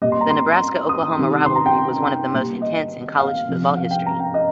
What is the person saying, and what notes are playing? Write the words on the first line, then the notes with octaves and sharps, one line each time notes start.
The Nebraska-Oklahoma rivalry was one of the most intense in college football history.
A#2 G3 D#5
C6
A#5
C6
D#6
C3 D#3 G3
C6
A#5
G5
A#2 G3
D#5
F5
C3 F3
F5
G5
A#5
G5
D#5